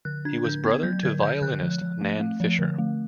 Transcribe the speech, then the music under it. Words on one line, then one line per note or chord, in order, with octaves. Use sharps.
He was brother to vilionist, Nan Fisher.
D3 F#6
D4 G#6
D3 G6
B3 G#6
F#3 G6
D3 G#6
D3 G6
D3 F#6
F3
F3
A3
A3
F3
D3
A3